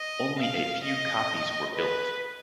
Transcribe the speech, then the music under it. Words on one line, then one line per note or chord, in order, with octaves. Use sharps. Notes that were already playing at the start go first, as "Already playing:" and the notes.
Only a few copies were built.
Already playing: D#5
F5
D#5
B4